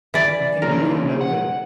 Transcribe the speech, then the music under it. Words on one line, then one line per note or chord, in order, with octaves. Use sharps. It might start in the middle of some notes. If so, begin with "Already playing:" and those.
You can do him no good.
E3 D5
F3 A#3 C#4 A#4
F#5